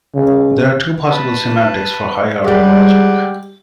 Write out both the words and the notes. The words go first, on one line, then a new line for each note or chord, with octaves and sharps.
There are two possible semantics for higher order logic.
C#3
B4 A5
G3 G#3 D5 F#5 G5